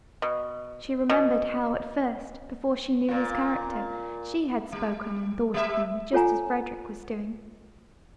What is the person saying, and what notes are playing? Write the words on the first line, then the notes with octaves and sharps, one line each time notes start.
She remembered how at first, before she knew his character, she had spoken and thought of him just as Frederick was doing.
B2
B2
A#2 F4
G3
G3 E5
F4 A4 C#5 F#5 G#5 A#5